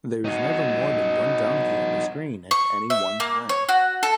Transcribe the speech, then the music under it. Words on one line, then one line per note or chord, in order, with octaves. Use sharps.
There is never more than one donkey on the screen at any one time.
D#4 F#4
C#6
E5
A#3
C#5
F#4
A4